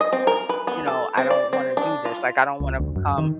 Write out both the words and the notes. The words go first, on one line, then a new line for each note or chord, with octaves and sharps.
you know, I don't wanna do this. Like, I don't wanna become
D#5
C4
A#4
B4
B3
A4
C4
D5
C4
D4
F4
C#2
D2
F#2
D#3